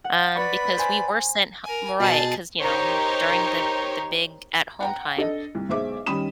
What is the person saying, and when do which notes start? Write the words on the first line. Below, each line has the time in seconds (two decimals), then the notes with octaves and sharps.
um, because we were sent h mo right, 'cause, you know, during the the big at home time,
0.04 F#5
0.36 B4 D5 B5 C#6
0.77 C5 G#5
1.64 A#4 G#5
2.00 B2 G#4 A5
2.60 D#4 G4 A#4 C5 C#5
4.81 F#5 G5 A#5
5.17 D4 A4 D#5
5.55 C2
5.69 B1 G#3 C5 E5 D6
6.06 D#3 G3 C#4 B5 D#6 E7